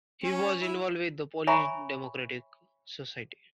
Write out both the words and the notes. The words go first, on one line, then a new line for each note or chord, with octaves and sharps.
He was involved with the Polish Democratic Society.
C#4
E4
C#5 E5 G#5 A#5 B5 C#6